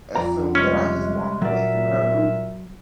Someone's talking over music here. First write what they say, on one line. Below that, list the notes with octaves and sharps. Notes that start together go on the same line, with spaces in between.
assumed that I just walked away from her group
F2 D5 A#5
C3 G3 G#3 C#4
A#2 F#3 A#4 D5 E5